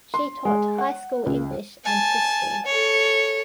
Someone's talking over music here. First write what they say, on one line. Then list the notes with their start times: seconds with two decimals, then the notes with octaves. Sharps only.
She taught high school English and History.
0.14 C6
0.45 G#3
0.78 F#5
1.26 C#2
1.85 G#5 A5
2.66 A4 C#5